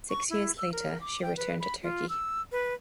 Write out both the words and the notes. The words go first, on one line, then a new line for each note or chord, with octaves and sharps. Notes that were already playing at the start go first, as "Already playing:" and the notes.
Six years later she returned to Turkey.
C#6
E4
E6
A#4
D6
G5
B4
B5
F4
E6
B4